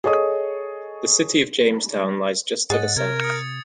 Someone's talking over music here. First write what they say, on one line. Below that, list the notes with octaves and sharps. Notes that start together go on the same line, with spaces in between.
The city of Jamestown lies just to the south.
G#4 A4 C#5 D#5 D#6
G#2 G#4 C#5 D#5 F#5 A6
C3 A#4 G#6
D#6 C#7